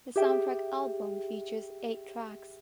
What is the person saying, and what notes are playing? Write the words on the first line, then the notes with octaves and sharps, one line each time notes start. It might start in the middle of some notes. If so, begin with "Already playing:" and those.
The soundtrack album features eight tracks.
G4 G#4 E5 G5